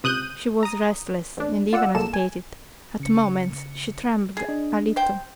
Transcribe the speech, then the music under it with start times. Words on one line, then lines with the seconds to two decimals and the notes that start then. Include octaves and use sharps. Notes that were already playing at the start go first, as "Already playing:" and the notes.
She was restless and even agitated; at moments she trembled a little.
0.03 C#2 C3 D#6 F#6 G6 D#7
0.63 A#5 D#6
1.37 A1 D4
1.73 F4 D5 F#5 E6
1.94 C2 G#3 A#3 A4 E7
2.13 G#5
3.00 C#3 C#7
4.37 G#4
4.48 D4 D#5
4.96 C5 G5